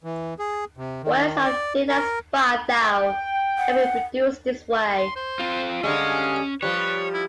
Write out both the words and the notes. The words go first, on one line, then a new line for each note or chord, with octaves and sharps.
Wires as thin as five thou can be produced this way.
E3
G#4
C3
D#3
D5
A#4
G5
F#5
C6
C5
C4 F4
D3 G3 G#3 C#4 C#5 F5
F3 G3 B4 C#5
E4